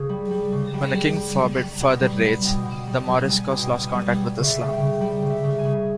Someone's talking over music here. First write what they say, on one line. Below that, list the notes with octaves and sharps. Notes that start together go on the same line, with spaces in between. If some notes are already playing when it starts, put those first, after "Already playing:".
When the king forbid further raids, the Moriscos lost contact with Islam.
Already playing: C#3 G#4
G3
G3
C#3
G3 G5
G3
G3
G3
G3
B2
G3
G3
B2 G5
B2
G3
G3
G3 G#5
B2
G5
B2
G#5
G3
G3
C#3
E5
C#3
G5
C#3
G3 G5
C#3
E5
C#3
G#5
C#3